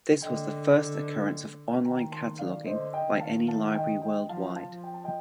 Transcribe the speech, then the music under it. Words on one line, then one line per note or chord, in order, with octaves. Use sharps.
This was the first occurrence of online cataloging by any library worldwide.
D3 D#5 G5
D#3 G5 A#5
A5 C6
D5 F5
D3 C5 D#5
D#5 G5
D#3
F5 A5
F5 A5
D#5 G5
D#5 G5
F3 F5 A5
F5 A5
F3
G5
A5
D#5 G5